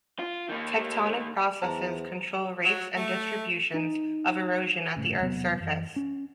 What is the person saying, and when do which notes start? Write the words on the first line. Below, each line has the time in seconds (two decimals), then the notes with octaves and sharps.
Tectonic processes control rates and distributions of erosion at the Earth's surface.
0.19 F4
0.49 D#3 A#3
1.62 E2 C5 A5 A#5
2.64 F#3
2.96 A3
3.74 D#4
4.96 G1 A2 C#3
5.19 E1 C3 F#3 B3
5.60 F#2 E3 F#3
5.96 C#4